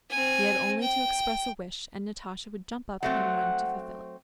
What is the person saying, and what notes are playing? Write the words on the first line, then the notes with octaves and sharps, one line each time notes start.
He had only to express a wish and Natasha would jump up and run to fulfill it.
C4 G#5
G5
F#3 A3 C4 F#5